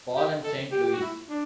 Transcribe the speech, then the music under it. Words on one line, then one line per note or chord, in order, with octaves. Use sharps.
Paul and Saint Louis.
G4
A4
G4
G4
F#4
E4
D4